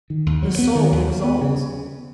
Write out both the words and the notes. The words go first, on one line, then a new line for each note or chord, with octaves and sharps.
The soul exults.
D#3
D#2
F#3
B3
D#3
D#2
F#3
B3
C#3